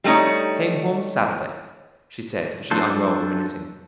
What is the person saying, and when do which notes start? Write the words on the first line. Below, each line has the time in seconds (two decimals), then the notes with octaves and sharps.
"I came home Saturday," she said, as she unrolled her knitting.
0.04 G3 A3 A#3 D#4 C#5
2.71 F#3 D4 F4 A4 C5